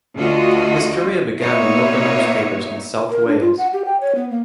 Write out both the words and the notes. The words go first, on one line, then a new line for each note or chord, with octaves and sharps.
His career began in local newspapers in South Wales.
D2 D3 F4 F#4 D#5
A#2 A#3 B3 D#4 C#5 E5
A#4
D4
F4
F#5
G4
G5
C#5
B3
A#3